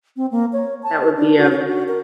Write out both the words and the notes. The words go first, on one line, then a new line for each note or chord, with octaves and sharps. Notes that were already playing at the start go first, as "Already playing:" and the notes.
that would be a
C4
A#3
C#5
A5
D4
F#4
C#4
F#4
A#4